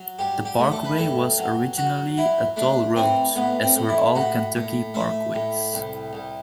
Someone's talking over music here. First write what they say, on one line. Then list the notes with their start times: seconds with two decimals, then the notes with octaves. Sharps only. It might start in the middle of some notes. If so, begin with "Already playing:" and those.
The parkway was originally a toll road, as were all Kentucky parkways.
Already playing: F#3
0.19 G2 G4
0.45 G4
0.59 A3
0.72 A4
0.85 B4
0.98 G2 A4
1.38 F#3
1.77 F#3 F#4
2.17 F#3 E4
2.56 A3 D4
2.96 E3 C4
3.35 A2 B3
3.62 C4
3.76 A2
3.89 E4
4.15 A2 F#4
4.55 A2
4.94 A3 E5
5.34 A2
5.73 C2
6.13 C2